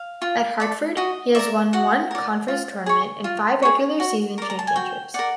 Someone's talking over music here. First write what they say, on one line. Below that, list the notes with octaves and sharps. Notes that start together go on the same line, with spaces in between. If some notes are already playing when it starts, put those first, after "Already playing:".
At Hartford he has won one conference tournament and five regular season championships.
Already playing: F5
F4
A4 D5
F#4 D#5
A#4 D5 E5
F#4 F#5
A#4 D5
F4
G#4 C#5
F4
G#4 C#5
F#4
A#4 D5
A#5
A5
G#5
F#4 G5
A#4 D5 F#5